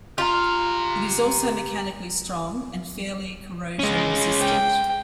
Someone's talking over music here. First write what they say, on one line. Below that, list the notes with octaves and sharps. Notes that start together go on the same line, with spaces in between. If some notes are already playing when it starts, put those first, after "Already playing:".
It is also mechanically strong and fairly corrosion resistant.
F4 G4 A#5
G#3 C#4
G5